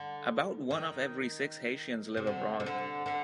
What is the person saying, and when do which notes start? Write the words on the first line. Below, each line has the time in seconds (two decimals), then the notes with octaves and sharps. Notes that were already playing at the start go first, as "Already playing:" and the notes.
About one of every six Haitians live abroad.
Already playing: D3
0.71 D#3
2.17 C3
2.27 D3
2.60 C3
2.66 D3
3.06 D3